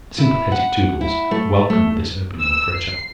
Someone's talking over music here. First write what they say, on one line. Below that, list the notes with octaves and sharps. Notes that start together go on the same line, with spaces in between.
The sympathetic Toodles welcomed this opening for a chuckle.
E4
F#5
E4
A3
A3
E6
C7